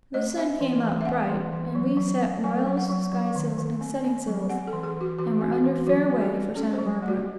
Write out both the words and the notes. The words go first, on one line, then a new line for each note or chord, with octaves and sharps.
The sun came up bright, and we set royals, skysails, and studding-sails, and were under fair way for Santa Barbara.
A3 D#5
C4 E5
E3
E3
E5
C4 F#5
E3
E3
F#3
F#3
C4
F#3 G#5
F#3
F#5
F#3
F#3
D#3
D#3
C4
C4
F#3
C4 F#5
A4
E3
G#4
E3 F#4
E3 F#4
C4
F#4
E3
F#3 F#4
C4
G#4
C4
C#4 A4
C5
F#3
A3
F#4